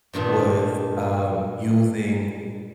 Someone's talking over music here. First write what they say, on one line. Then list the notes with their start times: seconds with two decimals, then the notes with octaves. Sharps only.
was, um, using
0.13 G2 A#2 D#3 D4